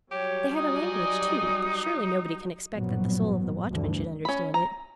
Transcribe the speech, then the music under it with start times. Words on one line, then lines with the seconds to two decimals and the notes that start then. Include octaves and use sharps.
They had a language too; but surely nobody can expect that the soul of the watchman should understand it.
0.12 F#3 G3 G4 C#5
0.55 D#4 D5 D#5 G#5 D#6
2.72 A1 G2 A#2 F3 F#3 B3
3.71 D2 G2 D3 E3
4.25 C#4 B5
4.54 A#5